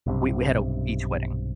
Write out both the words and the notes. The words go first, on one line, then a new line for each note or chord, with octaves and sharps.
we we had a beach wedding
B1 G2 C3